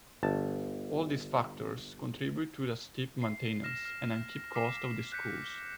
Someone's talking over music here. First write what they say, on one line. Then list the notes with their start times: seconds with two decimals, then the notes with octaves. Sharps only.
All these factors contributed to a steep maintenance and upkeep cost of the schools.
0.23 G1 A5
3.22 C7
3.64 F6 A#6 E7
3.85 F6 C7
4.55 D6 B6 C7 E7
5.12 F#6 G6 B6 C#7